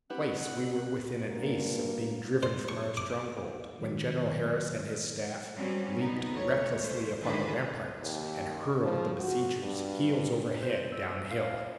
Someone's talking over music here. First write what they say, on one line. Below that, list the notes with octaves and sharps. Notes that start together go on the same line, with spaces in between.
Twice we were within an ace of being driven from our stronghold, when General Harris and his staff leaped recklessly upon the ramparts and hurled the besiegers heels over head down hill.
C4 E4 G4 B4 F#5
G2 A#3 F#4 A#4
C5
C#6
D6
D#3 F#3
F#3 G3 C4 C#4
B3 D#4
D2 E3 C#5
A3 C5
D3 D#3 G#4 A4 B4 C5
D#2
F3
F#4
G2
C5
E6
F5